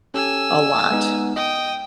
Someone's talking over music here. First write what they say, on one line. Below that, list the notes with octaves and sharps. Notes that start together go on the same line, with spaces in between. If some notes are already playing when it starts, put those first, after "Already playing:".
a lot.
C#4 G4 A4 G#5 E6
G#3 B3 D#4
D#5 G5 D#6